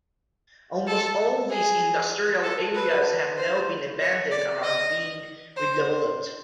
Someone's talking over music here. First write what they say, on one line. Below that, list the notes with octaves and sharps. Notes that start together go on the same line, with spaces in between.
Almost all these industrial areas have now been abandoned and are being redeveloped.
A4
G#4
A4
B4
C5
C#5
D5
D#5
C5